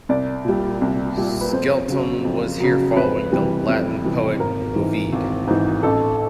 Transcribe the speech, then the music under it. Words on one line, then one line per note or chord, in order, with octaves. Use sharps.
Skelton was here following the Latin poet Ovid.
C2 D5
A#2 G3
C2
A#2 G3
B4
F2 C5
C#3 F#3
F2
C#3 F#3
F2 B4
C3 E3 G3
F2
C3 E3 G3
G#1 A#4
G#2 E3
G#1
G#2 E3
A1 A4